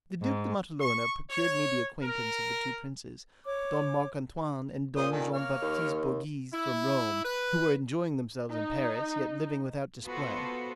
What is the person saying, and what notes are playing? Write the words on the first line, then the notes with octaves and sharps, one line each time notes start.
The Duke de Matalona procured me the acquaintance of the two princes, Don Marc Antoine and Don Jean Baptiste Borghese, from Rome, who were enjoying themselves in Paris, yet living without display.
G#2
C#6
C#5
A#4
C#5 D6
A#2 C5 D#6
D#3 A4 G#5
A#3 C#5 F6
D#2
E4
B4
D#4
B3 F4 F#4 A4 B4 C5